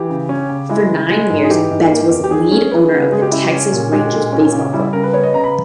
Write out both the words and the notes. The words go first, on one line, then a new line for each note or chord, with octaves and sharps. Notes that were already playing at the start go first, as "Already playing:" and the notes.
For nine years, Betts was lead owner of the Texas Rangers Baseball Club.
Already playing: E3 G4
C#3
C#4
C#3
G#3 E4
C#3
G#3
G#2
G#4
E3 G4
G#2
A#3
E2
G4
D#3 G#4
C#4
B3
C#3
G#3 G#4
G4
C#3 E4
G4
C#4
A#2
G#3 G4
A#2
C#4
C#3
G3 E4
C#3 A#4
B4
B3 C#5
D#5
C#3 A#5
B5